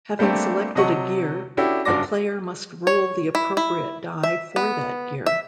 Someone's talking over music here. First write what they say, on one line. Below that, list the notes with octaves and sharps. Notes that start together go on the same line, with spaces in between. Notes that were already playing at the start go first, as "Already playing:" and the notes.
Having selected a gear, the player must roll the appropriate die for that gear.
G3 A3 A#3 C4 D4 G4
C3 F#3 D#5 F#5 A5 C#6
C#4 D4 E4 F#4 G4 A4
F#1 G2 F#4 D5 D6 A#6
C#5
E4
E4
E5
B3
E5